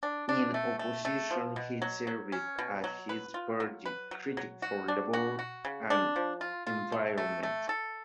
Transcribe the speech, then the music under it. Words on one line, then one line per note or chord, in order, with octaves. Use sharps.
In opposition, he served as his party's critic for Labour and Environment.
D4
D4
A3
A3
A3
F3
B2
F#3
F#3
C#4
B2
F#3
B4
F4
F#3
B4
F#3
F#3
F#4
D4
F#4
F#4
C#3
D4
F3
F4
F4
A3
A3
A3
A4